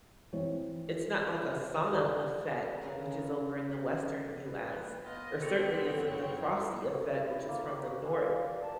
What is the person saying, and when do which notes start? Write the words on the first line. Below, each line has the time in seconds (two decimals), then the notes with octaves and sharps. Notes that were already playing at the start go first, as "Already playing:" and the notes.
it's not like a sauna effect, which is over in the Western US, or certainly isn't the frosty effect, which is from the North,
0.33 E3 C4 C#5
1.89 G4 A4 D5
2.81 C#3 C#4 G#4 A#4 B4
4.45 B4
5.06 B3 F4 D#5
5.41 C4 D4 A4 C#5
5.82 C2 F#2 F3 C4 C#5
6.36 E4
6.92 F#4
7.16 C4
7.30 E4
7.48 A#3
7.68 G4
7.84 F#4
8.05 G#4
8.17 F4
8.30 D5
8.45 G4
8.63 A5